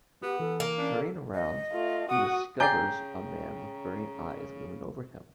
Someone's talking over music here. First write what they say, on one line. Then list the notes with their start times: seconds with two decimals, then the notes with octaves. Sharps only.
Turning around, he discovers a man with burning eyes looming over him.
0.23 B3 F#4 G4
0.39 E3 A4
0.60 A#3
0.78 C#4 D4
0.93 A4
1.34 D#5
1.72 A3 F4
2.09 F#4 F#5 D#6
2.60 C#3 G5 G#5 A#5 D6 G6 A6 C7